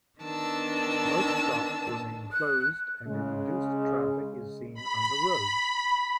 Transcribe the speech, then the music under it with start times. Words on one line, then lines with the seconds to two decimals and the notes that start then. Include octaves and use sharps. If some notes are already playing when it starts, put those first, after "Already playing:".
Most shops remain closed and a reduced traffic is seen on the roads.
0.21 D#3 B3 D4 A5 E6
2.33 F#6
3.07 C#3 G#3
4.74 B5